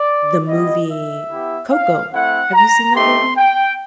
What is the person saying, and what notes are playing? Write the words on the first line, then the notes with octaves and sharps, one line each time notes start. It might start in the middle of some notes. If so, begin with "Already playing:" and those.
the movie Coco. Have you seen that movie?
Already playing: D5
G3 B3 E4 D#5
E5
B3 E4 G4
F5
A3 C4 E4 F#5
A#5
A3 C4 D#4 G4 C6
G5